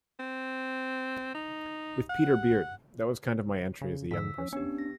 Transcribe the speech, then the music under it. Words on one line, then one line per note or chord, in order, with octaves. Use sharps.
With Peter Beard, that was kind of my entry as a young person.
C4
D#4
F#5
C#3
G#2 D3 E6 B6
F3 C#4
B3 C#4 D4 G4
A#6